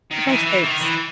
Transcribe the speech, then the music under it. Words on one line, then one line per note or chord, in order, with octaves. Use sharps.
There's no stakes.
D#3
E3
E3
D#3
E3